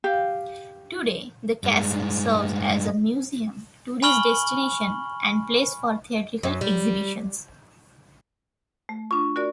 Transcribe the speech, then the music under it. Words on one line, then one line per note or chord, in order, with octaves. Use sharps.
Today the castle serves as a museum, tourist destination and place for theatrical exhibitions.
G4 F5
G2 G#3
G#5 B5 C#6 F6 F#7 G7
F#2
G3
A3
D4 F4 C#6
F#4 A#4 D5